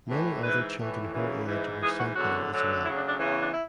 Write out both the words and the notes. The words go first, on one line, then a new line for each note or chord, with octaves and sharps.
Many other children her age were sent there as well.
A2 E3
G#2 E3 B4
A2 E3
F#2 C#3 E3
G#2 E3
G#2 E3 G#4
F#4
E2 D3 F#3 F#4
D2 D3 F#3
D2 C#3 F#3 E4
D4
D4
E2 C#3 E3 C#4
C#4
D4
E4